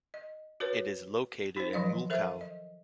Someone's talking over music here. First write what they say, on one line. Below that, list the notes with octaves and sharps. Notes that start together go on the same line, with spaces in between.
It is located in Mulkow.
D#5
F#4 A#4 B4 C#5
D#4 C5
D#3 F3 F#3 D#5 F5
A4 A#4 C5 E5
D#5